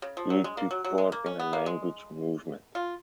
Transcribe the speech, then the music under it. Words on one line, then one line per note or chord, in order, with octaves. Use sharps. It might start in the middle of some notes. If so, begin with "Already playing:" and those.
He took part in the Language Movement.
C#3
F3
F#3
G#3
A#3
F#3
F#3
G#3
A#3
C#4
B3
A#3
G#3
F4